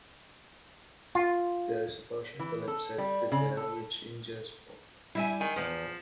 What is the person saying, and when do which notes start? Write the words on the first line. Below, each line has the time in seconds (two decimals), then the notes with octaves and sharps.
There is a partial collapse at the fair which injures Pop.
1.15 F4
2.39 E3
2.68 A4
2.98 G3
3.32 C#3
3.57 A4
5.15 G3 E4 E5 G#5
5.41 D#3 G#5
5.56 E2 F3